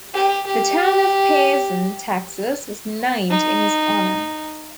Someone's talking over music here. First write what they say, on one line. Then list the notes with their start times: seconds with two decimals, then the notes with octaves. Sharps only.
The town of Pearson, Texas was named in his honor.
0.14 G4
0.47 G4
3.30 D#4